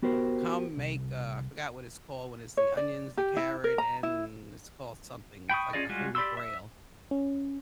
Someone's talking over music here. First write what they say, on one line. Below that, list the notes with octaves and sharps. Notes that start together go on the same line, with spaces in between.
come make" uh, I forgot what it's called when it's the onions, the carrot and it's called something- it's like the holy grail.
B3 F#4 G4 A#4 C5
C2
C#5
D5
G4
E4
A#4
A#5
E4
G5 B5 C#6 D#6
C#4 F4 G#4 D5 D#5
G3 G#3 F4 F#4
G4 D5 B5 C6 E6
E5 E6
C#4